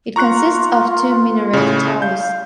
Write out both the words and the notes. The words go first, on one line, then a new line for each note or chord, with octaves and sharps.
It consists of two minaret towers.
F4 A#5 C#6 F#6
A2 C#3
F5 G6